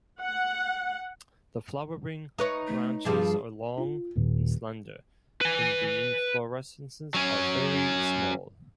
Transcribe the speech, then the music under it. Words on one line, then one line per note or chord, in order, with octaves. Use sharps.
The flowering branches are long and slender and the inflorescences are very small.
F#5
D#4 B4 C#5
A3
G2 F3 G3 G#4
F4
D#1
B4 G#5
F#3 C#4